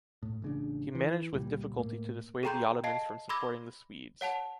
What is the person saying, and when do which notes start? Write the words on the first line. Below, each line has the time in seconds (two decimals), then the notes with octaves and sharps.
He managed with difficulty to dissuade the Ottomans from supporting the Swedes.
0.23 A2
0.42 A1 C#3 D4
0.95 E3
1.33 C#2 A#2 G3
1.79 A2 A#3
2.43 G#4 A4 G5 A#5 C6 G6
2.84 D#5 F5 A5 C7
3.29 B5 C6 D6 E6 G#6 A#6
4.21 C#5 F#5 A5 F7